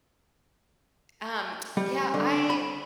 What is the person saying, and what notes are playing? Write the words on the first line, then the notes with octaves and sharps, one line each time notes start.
I Um, yeah, I
G3
D3
B5